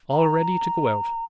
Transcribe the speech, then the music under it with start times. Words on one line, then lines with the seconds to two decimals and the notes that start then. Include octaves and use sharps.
"All ready to go out."
0.11 A#5